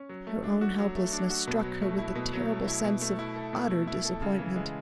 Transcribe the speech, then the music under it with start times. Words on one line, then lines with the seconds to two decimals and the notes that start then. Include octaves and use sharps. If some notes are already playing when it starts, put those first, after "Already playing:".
Her own helplessness struck her with the terrible sense of utter disappointment.
Already playing: C#4
0.09 F#3
0.27 A3
0.44 D4
0.61 F#4
0.78 F#3
0.96 A3
1.13 D4
1.30 F#4
1.47 B2
1.64 F#3
1.82 A3
1.98 E4
2.15 B2
2.33 F#3
2.50 A3
2.67 E4
2.84 B2
3.01 A3
3.19 E4
3.36 A4
3.53 B2
3.70 A3
3.87 E4
4.05 A4
4.22 C#3
4.39 E3
4.56 G#3